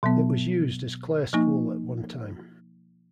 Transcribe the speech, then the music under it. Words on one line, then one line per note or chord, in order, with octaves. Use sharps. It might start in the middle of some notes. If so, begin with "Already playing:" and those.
It was used as Clare School at one time.
B2 F#3 B3
F3 A#3 D#4